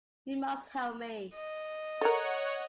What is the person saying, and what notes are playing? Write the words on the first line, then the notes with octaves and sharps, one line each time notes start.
You must help me.
D#5
A4 A#4 C#5 F#5